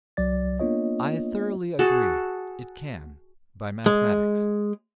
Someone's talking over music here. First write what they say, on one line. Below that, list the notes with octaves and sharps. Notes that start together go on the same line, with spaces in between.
I thoroughly agree, it can--by mathematics.
C2 F#3 D5 A6
A#3 B3 D4 F4 C#5 D#5
F#4 G#4 A4
G#3